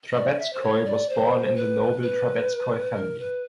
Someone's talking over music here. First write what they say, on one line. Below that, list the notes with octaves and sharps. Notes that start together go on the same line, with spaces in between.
Trubetskoy was born in the noble Trubetskoy family.
D5
E5
C5
C#5
D5
C5
B4
B4
A#4
B4